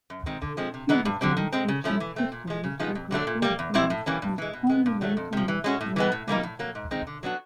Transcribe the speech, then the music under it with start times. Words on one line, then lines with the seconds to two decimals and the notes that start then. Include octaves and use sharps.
He began teaching history, geography and physics, and only later moved to mathematics.
0.10 F#2
0.26 D#3 G#3 C4
0.42 D3
0.57 F3 G#3 C4
0.74 C3
0.89 E3 G#3 B3 D#4
1.05 G2
1.21 D3 G3 C4
1.37 D#3
1.53 G#3 C4
1.68 C#3
1.84 F3 A3 C#4 E4
2.00 E3
2.16 A3 C4
2.32 A#2
2.47 F3 G#3
2.64 C#3
2.79 F3 G#3 B3 D#4
2.95 F2
3.11 D3 F#3 A3 D4
3.27 A#2
3.42 G3 A#3
3.59 E2
3.74 B2 G3 C4 E4
3.90 A2
4.06 E3 G3 A#3 C#4
4.22 G2
4.38 E3 G#3
4.53 B2
4.69 G#3 B3
4.86 G2
5.01 D#3 F#3 A3
5.17 F2
5.33 C3 F3
5.48 E3
5.64 G#3 C#4 F#4
5.81 A2
5.96 E3 G#3 B3
6.12 A2
6.28 E3 G3 A#3 D#4
6.43 A2
6.59 F#3 A#3
6.75 G#2
6.91 D#3 G#3 C4 D#4
7.07 D3
7.23 F#3 B3 D4 F#4